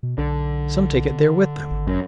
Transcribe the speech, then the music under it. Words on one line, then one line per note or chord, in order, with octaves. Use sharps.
Some take it there with them.
B2
B1 D3
G#1
F#2